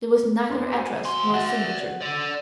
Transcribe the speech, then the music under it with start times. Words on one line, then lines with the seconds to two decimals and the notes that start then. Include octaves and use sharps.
There was neither address nor signature.
0.50 E2 D4 C6
0.73 F#4 C5 G#5
1.05 D#2 C6
1.34 F#4 D5 E5
2.01 A4 D5